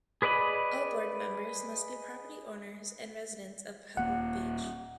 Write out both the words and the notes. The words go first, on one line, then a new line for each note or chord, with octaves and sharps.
All board members must be property owners and residents of Pebble Beach.
G#4 B4 D5 D#5 B5
D#1 A#3 F#5